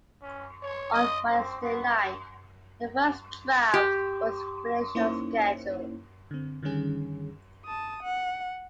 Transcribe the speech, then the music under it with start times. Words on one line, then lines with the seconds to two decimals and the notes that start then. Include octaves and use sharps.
On Wednesday night, the first draft was finished on schedule.
0.22 C#4
0.62 C#5
0.92 D#5
1.30 C4
1.61 B3
3.74 G4
4.95 A#3 C#4 D#4 E4 C5 C#5
6.31 D3 C4
6.63 D3 D#3 G3 C#4 G#4
7.65 A5 D#6
8.03 F#5